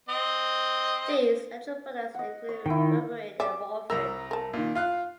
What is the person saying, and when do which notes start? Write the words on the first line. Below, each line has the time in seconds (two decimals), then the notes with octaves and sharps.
These natural products include berberine and morphine.
0.09 C4 D#5
2.14 D#5 F#5
2.49 C#5
2.66 D#3 E4 G5
3.40 D5 E5 G#5 D6
3.90 C2 A#4 A#5 E6
4.31 A#4 A5
4.53 A#2 D#3
4.75 F4 F5 F#6